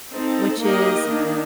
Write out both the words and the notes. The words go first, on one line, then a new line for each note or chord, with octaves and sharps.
which is
C4 D#4 A4
A#3 D#4 G4 A#4 D#5
D#3 A#3 D4